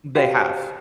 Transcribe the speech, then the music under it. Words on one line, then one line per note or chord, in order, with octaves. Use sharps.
They have.
F#4 G4 C5 F5 G5